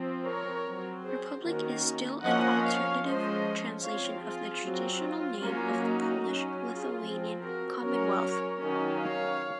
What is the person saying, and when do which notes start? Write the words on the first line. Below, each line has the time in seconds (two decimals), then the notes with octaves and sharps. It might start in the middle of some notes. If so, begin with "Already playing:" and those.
"Republic" is still an alternative translation of the traditional name of the Polish-Lithuanian Commonwealth.
Already playing: F3 C4
0.25 A#4 C#5
0.65 F#3 C4
1.05 G#4 C5
1.44 D#3 A#3 C#4 F#4 A#4
2.24 F3 A#3 C#4 D#5 F#5
2.64 C#5 F5
3.04 F3 G#3 C#4 C5 D#5
3.83 F3 C4 C#5 F5
4.23 F4 G#4
4.64 F#3 C4
5.03 F4
5.43 F#3 A#3 C#4
5.82 D#4 F#4
6.23 F#3 C#4
6.62 F4 G#4
7.02 F3 C4
7.42 F#4 A#4
7.81 F#3 C#4 A#4 C#5
8.62 D#3 F#3 C#4
9.02 C#5 F5